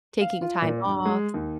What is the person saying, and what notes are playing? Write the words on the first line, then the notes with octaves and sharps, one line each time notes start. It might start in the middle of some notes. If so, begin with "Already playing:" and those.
taking time off,
F5
F4
A#2
G2
G#3
D#2